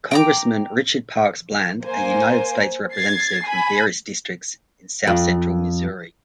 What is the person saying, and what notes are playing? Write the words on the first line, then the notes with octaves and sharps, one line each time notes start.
Congressman Richard Parks Bland, a United States Representative from various districts in south-central Missouri.
G5 A#5 D6
A#3 C5 G#5
G#6 A6 C7
G#5 B5
F2